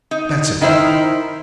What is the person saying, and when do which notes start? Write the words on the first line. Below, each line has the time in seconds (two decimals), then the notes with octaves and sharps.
"That's it!"
0.11 D#4
0.61 D#3 D#4 E4 A#4 C5